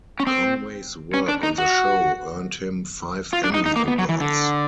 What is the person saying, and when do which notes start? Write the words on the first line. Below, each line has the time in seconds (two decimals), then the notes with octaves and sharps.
Conway's work on the show earned him five Emmy Awards.
0.20 C#4
0.27 C4
1.14 C#4
1.29 D4
1.43 D#4
1.58 F#4
3.33 F4
3.44 D4
3.54 D#4
3.66 D#4
3.76 A#3
3.88 B3
3.98 F#3
4.09 E3
4.20 D3